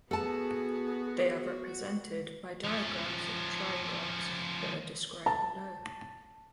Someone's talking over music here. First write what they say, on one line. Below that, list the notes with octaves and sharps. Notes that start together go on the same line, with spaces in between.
They are represented by digraphs and trigraphs that are described below.
B3 F#4 G#4 A4 A5
F3 C#4
A5